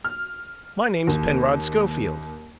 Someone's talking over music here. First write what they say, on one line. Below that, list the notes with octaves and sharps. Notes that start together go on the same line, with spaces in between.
"My name's Penrod Schofield."
F6
D#2